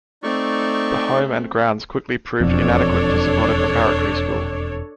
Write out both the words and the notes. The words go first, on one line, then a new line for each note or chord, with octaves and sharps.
The home and grounds quickly proved inadequate to support a preparatory school.
A3 C4 D#4 D5 C#6
E1 F2 D4 A4 C#5